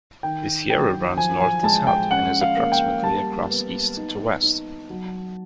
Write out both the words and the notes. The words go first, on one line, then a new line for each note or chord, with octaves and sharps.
The Sierra runs north-to-south, and is approximately across east-to-west.
D#3 G5
F#3 G5
F3 G#5
G#5
G#3 A5
G5
C#4 F#5
F5
A#3
G5
G3 A5
B3
D#4
D#4
F#3